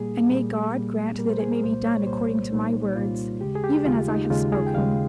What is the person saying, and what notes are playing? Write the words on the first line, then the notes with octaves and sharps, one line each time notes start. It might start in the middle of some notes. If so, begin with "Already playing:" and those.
And may God grant that it may be done according to my words, even as I have spoken.
Already playing: A#2 G3 A#3 G#4
A#2 G3 A#3
A#2 G3 A#3
A#2 G3 A#3 A#4
C5
G#4
A#4
C2 A#2 G3 A#3 C5
C#5
C2 A#2 G3 A#3 C5
C2 A#2 G3 A#3 D#4
C2 A#2 G3 A#3 F4
D#2 C#3 G#3 G4
G#4
G4
D#2 C#3 G#3 F4
D#4
D#2 C#3 G#3 F4
G#4
G5
D#2 C#3 G#3 F5